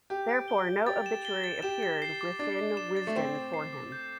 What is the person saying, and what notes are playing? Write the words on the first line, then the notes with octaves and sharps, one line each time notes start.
Therefore no obituary appeared within Wisden for him.
G4 G6
D7
G7
G6
G4 A6
E7
G7
A6
G4 E7
A6
C7
D6
D4 A6
C7
E7
A6
A3
C4 E7
A6
C7
D6
G6